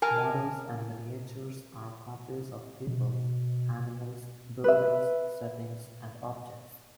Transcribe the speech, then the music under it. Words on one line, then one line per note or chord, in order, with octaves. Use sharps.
Models and miniatures are copies of people, animals, buildings, settings and objects.
A#4 G#5 A5
B2
B4 E5